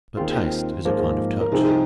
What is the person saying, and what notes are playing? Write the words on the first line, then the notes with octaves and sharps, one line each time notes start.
But taste is a kind of touch.
D#2 D#3 C4 F4 G#4 C5
G#2 F3 A#3 G#4 C5
A#4
C2 C3 F3 C4 D#4 G#4